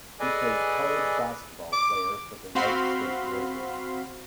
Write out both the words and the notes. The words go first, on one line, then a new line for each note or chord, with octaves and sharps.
He played college basketball player for the Wright State Raiders.
G#4 A4 B4 D5 D#5 G#5
D6
C4 F#4 F5 B5 C6